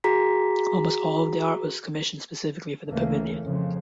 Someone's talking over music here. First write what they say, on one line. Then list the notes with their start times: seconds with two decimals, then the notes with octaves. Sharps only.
Almost all of the art was commissioned specifically for the pavilion.
0.04 F#4 G#4 A#5 B6
2.88 D2 C#3 E3 A3 A#3
3.42 F2 C#3 F3